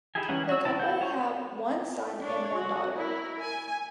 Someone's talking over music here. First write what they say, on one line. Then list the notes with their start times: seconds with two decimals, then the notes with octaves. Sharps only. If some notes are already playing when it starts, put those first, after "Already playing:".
The couple have one son and one daughter.
0.15 D#4 E4 G4 G#4 G#5
0.29 E3 G3 C#4 F#5
0.49 F#4 E6
0.65 C4 C#4 E4 A5
0.79 E4 F#5 G6
1.01 C5 C#5 F#5 G#5 C#6
2.21 D4 C#5
2.55 F#4
2.96 E4 A#4
3.40 G#5